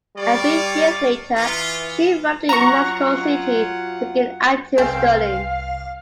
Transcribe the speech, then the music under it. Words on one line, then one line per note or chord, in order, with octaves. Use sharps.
A few years later, she arrived in Mexico City to begin acting studies.
G3 F4 C#5 D5
E3 B3 F4
F#3 F4 F#5 A#5 C#6
C2 C4 B4 F5 G#5